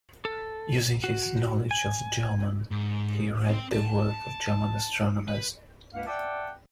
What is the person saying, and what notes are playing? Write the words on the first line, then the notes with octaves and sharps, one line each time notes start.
Using his knowledge of German he read the work of German astronomers.
A4
F#4
G#5
G#2
C4 G5
A5
B4
C#2 G2 A#3 B4 F5 F#5
D5 E5 F#5 G5 A5 D6